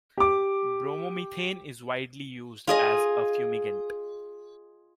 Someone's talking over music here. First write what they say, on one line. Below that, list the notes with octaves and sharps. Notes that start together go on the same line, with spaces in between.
Bromomethane is widely used as a fumigant.
G4 D6
F4 G#4 D#5